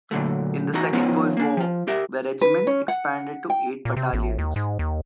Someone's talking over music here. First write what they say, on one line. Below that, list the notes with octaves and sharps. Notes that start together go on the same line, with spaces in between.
In the Second World War, the regiment expanded to eight battalions.
A#2 D3 F#3 A3
E3 D#4 F#4 A#5
F3 B3 C#4 D#4 F4
A#3 D4
F3 F4
G4 A#4 E5
B4
C#4
F#5
G5
A#2
C3
A1
D#2
G#2
D#2